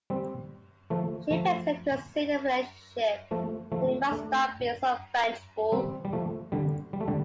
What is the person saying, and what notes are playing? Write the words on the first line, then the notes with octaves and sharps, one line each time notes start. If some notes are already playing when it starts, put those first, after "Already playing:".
She begs him, to seal their relationship, that he must stop being so vengeful.
G3 C4
F3 A3
F3 A3
F3 A3
F3 A3
A3 D4
G3 C4
G3
F3 A3
D3 G3
G3
A3
D3 G3